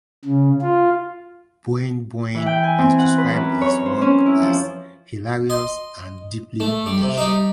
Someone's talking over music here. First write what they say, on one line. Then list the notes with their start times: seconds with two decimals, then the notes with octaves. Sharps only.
Boing Boing has described his work as "hilarious" and "deeply niche".
0.25 C#3
0.62 F4
2.35 E3
2.46 G5
2.63 G#5
2.78 C4
2.99 F#5
3.18 B4
3.31 F#2
3.61 C#5
3.86 C5
4.02 C#4
4.26 E4
4.42 F3
5.50 D#5 C6
6.60 A3
6.86 G3
7.01 C3
7.18 G3 D#4